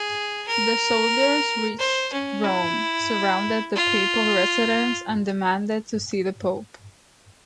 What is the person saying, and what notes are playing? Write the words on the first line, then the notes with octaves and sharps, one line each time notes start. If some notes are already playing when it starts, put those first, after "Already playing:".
The soldiers reached Rome, surrounded the papal residence, and demanded to see the pope.
Already playing: G#4
A#4
C5
C#4
E4
F4